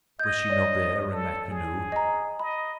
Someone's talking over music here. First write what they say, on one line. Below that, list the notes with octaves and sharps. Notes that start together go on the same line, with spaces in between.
Was she not there in that canoe?
D#5 G6 G#6
C#5 D5
A4
G#4
D#5 A#5
D#5 B5